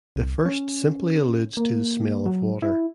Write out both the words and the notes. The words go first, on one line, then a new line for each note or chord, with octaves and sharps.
The first simply alludes to the smell of water.
C2
C#4
A#3
F#3
E4